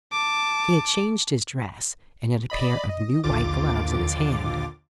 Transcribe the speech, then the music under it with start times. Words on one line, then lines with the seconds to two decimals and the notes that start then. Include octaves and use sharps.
He had changed his dress, and had a pair of new white gloves in his hand.
0.12 A5 D6
2.50 D5 D#5 B5
2.89 D#5
3.23 A#1 D#2 D3 F4 D6 A6